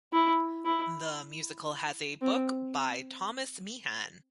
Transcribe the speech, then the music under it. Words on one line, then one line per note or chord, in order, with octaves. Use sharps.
The musical has a book by Thomas Meehan.
E4
E4
C4